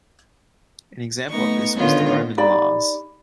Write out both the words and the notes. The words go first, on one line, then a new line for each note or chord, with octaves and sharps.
An example of this was the Roman Lares.
A3 B3 D#4 C#6
D3 D#3 B3 C#4 F4
D#4 G4 D5 B5